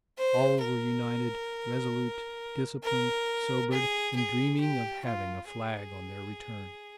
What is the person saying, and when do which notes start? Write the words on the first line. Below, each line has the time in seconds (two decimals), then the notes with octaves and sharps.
All were united, resolute, disciplined, sobered, and dreaming of having a flag on their return.
0.18 C5
0.62 A#4
2.84 A#4
3.72 G#4
4.16 G#4
4.60 G4
5.05 F4
5.48 G#4